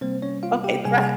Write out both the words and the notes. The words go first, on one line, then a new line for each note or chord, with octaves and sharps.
"Okay, the rat,
C3 G3 A#3 C4 C5
C#4 C#5
F4 F5
G4 G5
C3 G3 A#3 G#4 G#5